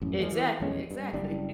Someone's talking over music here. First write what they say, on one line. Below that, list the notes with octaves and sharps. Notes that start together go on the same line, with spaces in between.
Exactly, exactly.
A1 F#2
D#2 F3 G#3 A#3
E3
A#1 E2 G#3 C#4
G2
F#1 G3 D4